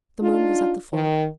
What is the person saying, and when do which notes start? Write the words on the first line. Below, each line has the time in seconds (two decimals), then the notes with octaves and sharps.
The moon was at the full.
0.22 D4 D#4 F4
0.93 D#3